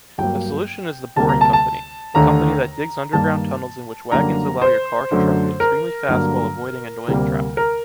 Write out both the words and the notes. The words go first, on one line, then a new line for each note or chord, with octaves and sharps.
The solution is the Boring Company, the company that digs underground tunnels in which wagons allow your car to travel extremely fast while avoiding annoying traffic.
G2 F#3 A#3 G5
D2 C3 G3 A#3 A5
A#5
A5
A5
D#2 D3 A3 A#5
G2 D#3 G3 A#3 A5
F#2 D3 G3 A#3 A#5
C5
F#2 D3 A3
A#4
G2 D3 F#3 A#3
D2 C3 G3 A#3
A#4